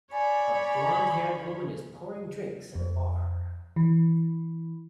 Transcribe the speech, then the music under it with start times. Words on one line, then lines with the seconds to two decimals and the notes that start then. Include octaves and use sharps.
A blondhaired woman is pouring drinks at a bar.
0.12 C#5 D5 G#5 B5
2.75 F2
3.76 E3